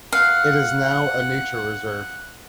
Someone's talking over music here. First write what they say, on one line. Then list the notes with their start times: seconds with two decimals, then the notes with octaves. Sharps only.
It is now a nature reserve.
0.13 F5 F#5